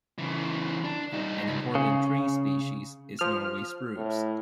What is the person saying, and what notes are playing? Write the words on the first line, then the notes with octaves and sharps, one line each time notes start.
An important tree species is Norway Spruce.
C#3 E3
D4
G3 D#4
C#2
C#3
F3 F6
A2